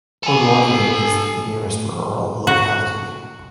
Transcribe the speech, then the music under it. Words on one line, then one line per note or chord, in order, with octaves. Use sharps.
Podgorny is the nearest rural locality.
A4 G#5
F#4